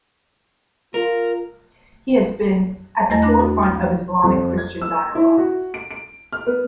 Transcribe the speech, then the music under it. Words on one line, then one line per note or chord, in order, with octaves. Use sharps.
He has been "at the forefront of Islamic-Christian dialogue".
F4 A#4
E2 A3 D#5 A#5 A6 A#6
D4 B5 F#6 A#6
F#4
F6
F3
F2
G#6
E6
E4
F#4
D7
D7
F6
B3